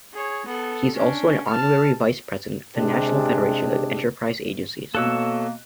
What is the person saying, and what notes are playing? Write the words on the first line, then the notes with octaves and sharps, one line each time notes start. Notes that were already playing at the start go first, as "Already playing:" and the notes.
He is also an honorary Vice-president of the National Federation of Enterprise Agencies.
G#4 C#5
B3 A4
C#4 D4
A5 F6
C3 G#3 D4 G4 G#4
B2 A#3 A4 C#5 E6 F#6